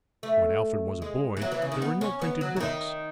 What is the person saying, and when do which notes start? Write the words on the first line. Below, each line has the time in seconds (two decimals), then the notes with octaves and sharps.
When Alfred was a boy there were no printed books.
0.23 A3
1.02 G#3
1.37 E3
1.42 F#3
1.52 E3
1.62 C#3
1.72 D#3
1.82 B3
2.01 C#4
2.22 B3
2.41 F#3
2.56 E3
2.61 D#3